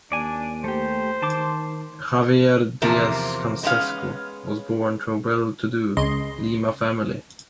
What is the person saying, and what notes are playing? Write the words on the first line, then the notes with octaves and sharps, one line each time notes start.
Javier Diez Canseco was born to a well-to-do Lima family.
D#2 D4 D5 G#5
A3 G4 C5
D#3 A5 C6 D6
E2 C3 F3 A#3
G#3 B3 C#4 F5
C#2 C#3 D#5 C6